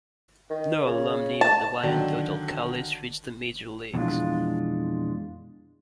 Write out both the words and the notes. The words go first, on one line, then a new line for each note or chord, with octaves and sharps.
No alumni of the Wyandotte Alkalis reached the major leagues.
D#3
C#3
A5
D3 D#3 F#3 D4
F2 B2 E3 G#3 D4 F4